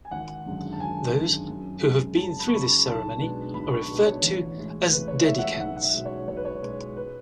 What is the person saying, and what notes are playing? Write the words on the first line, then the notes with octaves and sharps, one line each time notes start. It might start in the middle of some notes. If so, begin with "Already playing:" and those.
Those who have been through this ceremony are referred to as "Dedicants".
G#5
G#1 F#5
F#2 D3 G#3
A5
G#1 G#5
F#2 D3 G#3
F#2
C#3 G#3
F#2 A5
B5
C#6
C#3 G#3 B5
B5
B1 A5
B2 G#3 B3 D4
B1 B5
C#6
B2 G#3 B3 D4
C#5
A1
A2 G#3
A1 B4
C#5
A2 G#3 E5
F#5
E5
B1 F#5
F#5
E5
B2 G#3
C#5
B1 C#5
B4
C#5
B2 G#3
B4